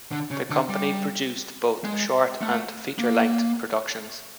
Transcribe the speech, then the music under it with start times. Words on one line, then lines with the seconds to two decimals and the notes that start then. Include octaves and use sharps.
The company produced both short and feature-length productions.
0.12 D3
0.31 C#3
0.50 D3
0.69 G3
1.84 G#3
2.41 A3
2.98 A#3